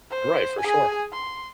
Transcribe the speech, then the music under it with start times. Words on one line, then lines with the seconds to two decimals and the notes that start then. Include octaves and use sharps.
Right, for sure.
0.11 C5
0.60 G#4 G#5
1.13 C6